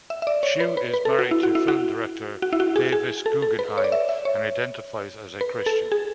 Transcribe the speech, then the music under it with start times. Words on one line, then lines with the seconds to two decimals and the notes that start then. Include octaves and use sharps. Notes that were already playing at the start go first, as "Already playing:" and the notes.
Shue is married to film director Davis Guggenheim, and identifies as a Christian.
0.10 E5
0.22 E5
0.27 D5
0.43 C#5
0.60 B4
0.77 B4
0.94 B4
1.05 A4
1.19 F#4
1.31 E4
1.43 F#4
1.55 E4
1.68 F#4
2.42 F#4
2.53 E4
2.60 F#4
2.76 G#4
2.92 G#4
3.26 A4
3.42 A4
3.59 B4
3.78 C#5
3.84 D5
3.92 E5
4.09 E5
4.25 C#5
5.41 B4
5.66 A4
5.92 G#4